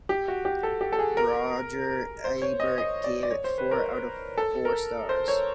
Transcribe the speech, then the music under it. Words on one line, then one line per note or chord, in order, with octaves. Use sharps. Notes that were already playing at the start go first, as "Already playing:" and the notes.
Roger Ebert gave it four out of four stars.
G4
F#4
G4
A4
G4
A4
G#4
A#4
C5
C#5
D#5
D#5
D5
D5
C#5
C5
B4
A#4
A4
A#4
C5
C#5